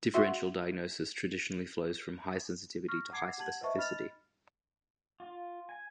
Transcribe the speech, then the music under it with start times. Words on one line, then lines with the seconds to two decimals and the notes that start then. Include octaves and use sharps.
Differential diagnosis traditionally flows from high sensitivity to high specificity.
0.14 F#4 E5 C6
2.88 C#6 F6 A#6
3.11 F#5 D6 G#6 C7
3.38 G4 F#5 A5 G#6 F#7
3.61 B4 C5 D#5 E5 A5 C#6
3.76 D#4 D#5 B5 F6 A6 F7
5.20 F4
5.69 G#5